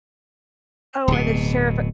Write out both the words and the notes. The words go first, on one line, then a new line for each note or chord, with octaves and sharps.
Oh, and the Sheriff
D1 B2